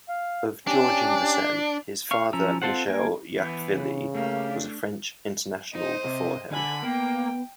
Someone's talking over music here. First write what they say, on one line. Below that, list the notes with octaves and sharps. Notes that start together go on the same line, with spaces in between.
Of Georgian descent, his father Michel Yachvili was a French international before him.
F5
C#4 D4 G4
F5 C#6
F3 C#4 A#5 E6
C4 F4 A4 C5 F#5
A#3 A#4 G#5
E3 B3
C#3
A3 A#3 G4 F5
D4
D#4 C5 D#5
C3
D3 G#5 B5
A#3 B3 G5